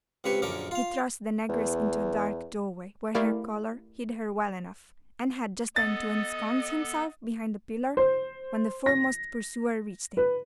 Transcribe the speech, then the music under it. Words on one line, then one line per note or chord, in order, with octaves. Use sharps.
He thrust the negress into a dark doorway, where her colour hid her well enough, and had just time to ensconce himself behind a pillar, when the foremost pursuer reached him.
C#2 C3 B4 C#5
A#1 F#2 D3 C#4 A#4 D6
F4 F5
E2
A3 E4 G4 A#4 D5 F5
B3 A4 D#5 A6
C5
A#6
B4